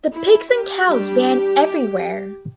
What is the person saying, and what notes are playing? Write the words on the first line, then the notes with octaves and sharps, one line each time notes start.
The pigs and cows ran everywhere.
E4
G4
G3 D4 G4